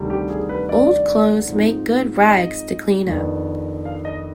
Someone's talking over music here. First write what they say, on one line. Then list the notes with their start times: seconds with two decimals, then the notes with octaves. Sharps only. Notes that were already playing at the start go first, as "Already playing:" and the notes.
Old clothes make good rags to clean-up.
Already playing: D2 C3 D#3 G3 D4
0.10 G4
0.30 G#4
0.49 B4
0.69 D5
1.48 G#2 F3 G#3 C4 D#4
2.28 D#5
3.07 F2 D#3 B3 D4
3.85 F5
4.05 D#5